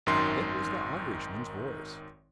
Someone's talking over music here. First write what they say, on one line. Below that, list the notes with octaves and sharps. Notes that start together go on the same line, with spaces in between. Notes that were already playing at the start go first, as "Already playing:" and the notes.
It was the Irishman's voice.
G#1 F#2 D#3 C6